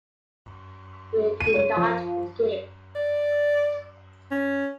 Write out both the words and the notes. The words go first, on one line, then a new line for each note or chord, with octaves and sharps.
We do not forgive!
D#7
C#5
F3
D5
C#4